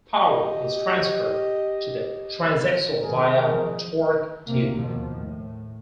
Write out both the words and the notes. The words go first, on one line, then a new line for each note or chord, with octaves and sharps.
Power is transferred to the transaxle via a torque tube.
G4 D#5
D#3 G#4 A#4
F3
D2 C3 A#3
D#2 B2 D#3 F3
A2